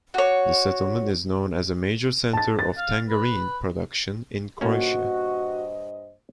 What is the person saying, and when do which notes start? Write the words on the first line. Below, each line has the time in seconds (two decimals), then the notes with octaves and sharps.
This settlement is known as a major center of tangerine production in Croatia.
0.14 F#4 C#5
2.33 A5 A6
2.59 A6
2.77 F5
3.09 B4
4.61 G2 A#2 A#3 C#4 F#4 C5 D#5